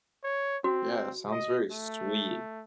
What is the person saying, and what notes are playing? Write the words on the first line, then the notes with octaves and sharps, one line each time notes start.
Yeah, it sounds very sweet.
C#5
C4 F#4
D#5
A3